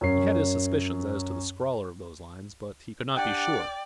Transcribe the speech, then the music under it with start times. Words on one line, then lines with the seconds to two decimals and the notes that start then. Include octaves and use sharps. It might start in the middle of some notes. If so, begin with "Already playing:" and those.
He had his suspicions as to the scrawler of those lines, but he could not be sure.
0.01 F#2 C#4 C7
3.16 D4 G4 D5 F#5 G5